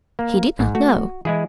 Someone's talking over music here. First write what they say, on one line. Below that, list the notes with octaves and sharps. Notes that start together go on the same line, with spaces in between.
He did not know.
A#3
A1 G#2
A3 F#4
E3 G#3 E4 G#4